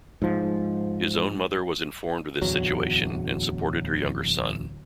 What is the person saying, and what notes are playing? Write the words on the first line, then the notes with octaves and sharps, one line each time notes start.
His own mother was informed of this situation and supported her younger son.
G#2 F3
D1 E2 F#3